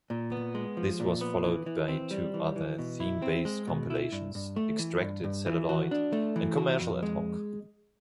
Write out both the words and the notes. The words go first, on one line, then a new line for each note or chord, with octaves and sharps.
This was followed by two other theme-based compilations, "Extracted Celluloid" and "Commercial Ad Hoc".
A#2
B3
G#3
F3
A#2
B3
E3
E3
C4
G3
E3
E3
B2
E4
C4
G#3
B2
E4
G2
G2
A3
E3
G2
G2
E3
F#4
D4
A3
E3
F#4
F2
G#3